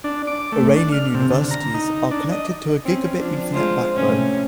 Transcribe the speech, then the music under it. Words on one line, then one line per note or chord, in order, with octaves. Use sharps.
Iranian universities are connected to a gigabit ethernet backbone.
D4
D6
A3
D4
F6
C3
D3
A#5
D#4
D4
D#5
C4 C#4
F3 D4
G#3 F4 C5
A2 C3 C#4